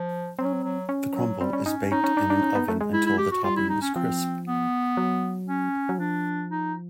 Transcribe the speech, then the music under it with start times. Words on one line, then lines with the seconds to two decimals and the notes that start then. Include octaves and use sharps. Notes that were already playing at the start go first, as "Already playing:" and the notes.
The crumble is baked in an oven until the topping is crisp.
Already playing: F3
0.39 F#3 C4
0.45 C#4
0.53 C4
0.64 F#3
0.89 C#4
1.15 F#3
1.41 G3 C4
1.53 C#4
1.66 C#4 D#4
1.91 C#4 D#4
2.04 C#4
2.17 D4
2.30 D4
2.42 C#4
2.55 B3
2.68 A3
2.81 G#3
2.93 E4
3.06 E4
3.18 G4
3.31 F#4
3.44 G3 F4
3.57 E4
3.69 D#4
3.82 C#4
3.95 F3 C4
4.46 B3
4.97 F#3
5.48 C#4
5.89 F#3
5.98 F3 D4
6.50 D#4